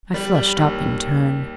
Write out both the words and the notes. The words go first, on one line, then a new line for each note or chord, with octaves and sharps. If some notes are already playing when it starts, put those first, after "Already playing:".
I flushed up in turn.
G3
G3
D#2